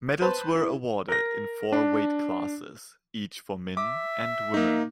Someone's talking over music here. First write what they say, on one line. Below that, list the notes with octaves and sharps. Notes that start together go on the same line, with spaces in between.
Medals were awarded in four weight classes each for men and women.
B4 C5 A5
E4
A#4 A#6
D4
E5 D6
A#3 D#4